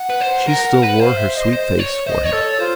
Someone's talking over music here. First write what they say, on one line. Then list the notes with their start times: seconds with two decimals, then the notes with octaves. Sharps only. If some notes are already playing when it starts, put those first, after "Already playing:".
She still wore her sweet face for him.
Already playing: F#5
0.10 B4
0.20 C5
0.47 A#4
0.65 A#4
0.82 B4
1.00 C5 F5
1.17 E5
1.36 D#5
1.53 C5
1.79 C#5
2.06 C5 D#5 E5
2.24 C#5
2.32 A4
2.41 C#5
2.59 F4 C5